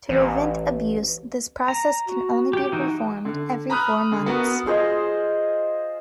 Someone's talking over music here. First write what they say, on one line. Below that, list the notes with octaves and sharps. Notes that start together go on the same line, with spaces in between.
To prevent abuse, this process can only be performed every four months.
A1
A#5
F#4
G4 G5
E3 D#4 F#4
D3
A#5 B5 D#6 F6 F#6
D3
B3 F#4 A#4
F4 G#4 C5 D#5